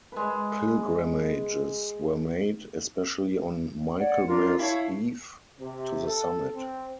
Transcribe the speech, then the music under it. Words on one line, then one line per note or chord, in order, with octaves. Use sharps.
Pilgrimages were made, especially on Michaelmas Eve, to the summit.
G#3 B4
C#5 D5 F#5
D4 F4 A#4
E4 C#5 F5 A5
C3
A4
C4